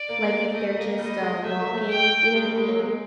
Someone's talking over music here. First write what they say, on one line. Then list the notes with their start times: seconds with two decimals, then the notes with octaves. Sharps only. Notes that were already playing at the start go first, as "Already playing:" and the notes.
like, if they're just, uh, walking, you know what I mean?
Already playing: D5
0.09 A#3
0.54 A3 D#5
0.76 A#3
0.99 G3 D#5
1.21 G#3
1.43 A3 E5
1.59 A#3
1.74 A3
1.89 G5
2.34 G#3
2.45 G3
2.57 G#3
2.68 F#3
2.79 G#3